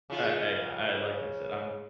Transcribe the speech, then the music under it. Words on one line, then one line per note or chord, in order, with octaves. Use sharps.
I I I like I said, "I'm
C#3 F4